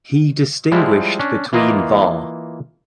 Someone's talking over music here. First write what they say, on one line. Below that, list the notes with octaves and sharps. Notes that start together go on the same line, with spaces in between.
He distinguished between var.
F3 G3 G#3 E4
C#4 D4
E3 A#3 F4 A#4 D#5